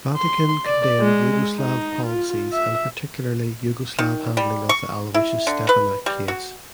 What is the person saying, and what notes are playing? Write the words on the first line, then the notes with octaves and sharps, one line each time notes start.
Vatican condemned Yugoslav policies and particularly Yugoslav handling of the Aloysius Stepinac case.
C6
D5
G#3
D#4
F4
E5
D#3
G3
C#6
E4
D3
B4
G3
F#4